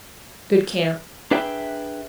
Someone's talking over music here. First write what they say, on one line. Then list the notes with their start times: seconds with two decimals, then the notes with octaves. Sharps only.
Good Camp.
1.31 D4 G#4 B4 E5 G5